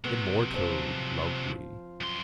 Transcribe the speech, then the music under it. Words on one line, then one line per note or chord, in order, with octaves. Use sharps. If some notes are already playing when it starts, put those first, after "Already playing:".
Immortal lovely.
C3 F#3 B3
F3 C4
F#2 C6